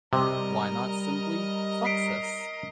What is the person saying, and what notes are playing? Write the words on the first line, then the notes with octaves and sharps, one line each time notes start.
Why not simply "Fluxus"?
C3 G3 A#4 D#5
B6 C7 D7